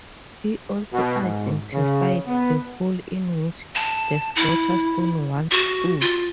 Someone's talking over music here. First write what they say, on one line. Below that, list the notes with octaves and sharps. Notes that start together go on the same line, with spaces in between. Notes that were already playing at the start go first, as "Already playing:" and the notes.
He also identified the hole in which the Slaughter Stone once stood.
B2
G#2
C#3
B3
A5
E4
F#4
F4